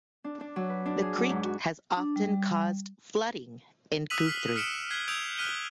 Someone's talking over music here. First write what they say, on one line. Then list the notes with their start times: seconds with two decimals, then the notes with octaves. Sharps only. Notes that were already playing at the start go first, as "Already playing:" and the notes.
The creek has often caused flooding in Guthrie.
0.24 D4
0.41 D4
0.56 F#3
0.69 B4
0.86 D4
1.02 G#4
1.18 F#3
1.30 G#2
1.44 F#4
1.97 D4
2.16 G3
4.10 D#6 E6 F#6 B6 D#7 F#7
4.26 F6 B6 C7
4.56 F6 B6 C#7 D7 E7 F#7
4.90 F#6 G#6 B6 C7 G7
5.08 D#6 E6 G6 G#6 D7 F7
5.38 F6 F#6 B6 D#7 G7